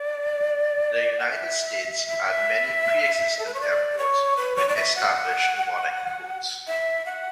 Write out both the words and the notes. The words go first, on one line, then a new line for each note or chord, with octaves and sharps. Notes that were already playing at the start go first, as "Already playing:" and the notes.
The United States had many pre-existing airports with established mnemonic codes.
Already playing: D5
F#5
E5
E5
A4
B4
C#5
D5
C#5
B4
C#5
D5
E5
F#5
E5
F#5